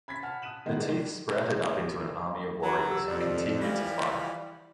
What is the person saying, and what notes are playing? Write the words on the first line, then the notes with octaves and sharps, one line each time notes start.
The teeth sprouted up into an army of warriors, who continued to fight.
B5 G#6 A6 B6
F#5 G#5 A5 F6
D#6 F#6 D#7 E7 F#7
D#3 G3 G#3 B3 D#4
D5
F#2 F#3 A#5
G4 A4 E6
F2 D5
E3 F3 G3